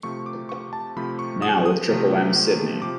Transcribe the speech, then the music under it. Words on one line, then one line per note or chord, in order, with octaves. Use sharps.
Now with Triple M Sydney.
C3 F3 A3 C#6
D6
C#6
A5
C3 F3 A3 B5
C#6
D#6
D#6
C3 F3 A3
C3 F3 D6